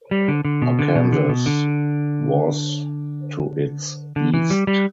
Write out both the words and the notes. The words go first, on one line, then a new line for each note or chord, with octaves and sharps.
Arkansas was to its east.
G3
D3
D3
B2
D3
B2
D3
B2
D3
D3
E3
G3
G3